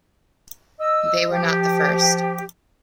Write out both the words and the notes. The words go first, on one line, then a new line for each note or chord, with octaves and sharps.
They were not the first.
D#5 E6
F3 G4